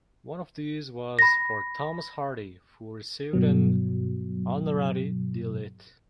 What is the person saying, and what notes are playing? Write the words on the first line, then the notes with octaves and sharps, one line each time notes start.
One of these was for Thomas Hardy who received an Honorary D. Litt.
B5 A#6
G2 B2 F#3